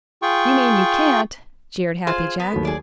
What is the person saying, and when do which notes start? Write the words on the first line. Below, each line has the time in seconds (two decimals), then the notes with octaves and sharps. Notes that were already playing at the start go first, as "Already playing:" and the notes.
"You mean you can't!" jeered Happy Jack.
0.22 F4 G#4 G5 C#6
2.07 F4 G#4 C5
2.40 B3
2.51 D#2 F#3 A3
2.65 G#4 D5